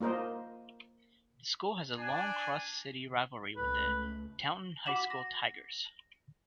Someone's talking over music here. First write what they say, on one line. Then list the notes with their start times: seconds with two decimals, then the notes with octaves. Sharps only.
The school has a long, cross-city rivalry with the Taunton High School "Tigers".
0.01 A#3 F4 A#4 C5 D#5
1.98 D4 G#5
3.56 C#2 A3 B4
4.86 F#4 F#5 D6 B6 E7 F#7
5.10 A#6